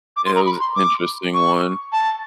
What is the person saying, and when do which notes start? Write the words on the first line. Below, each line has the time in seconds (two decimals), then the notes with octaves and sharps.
It was interesting one.
0.16 D6
0.26 C6
0.36 A#5
0.46 B5
0.60 C6
0.75 D6
1.34 C#6
1.92 A5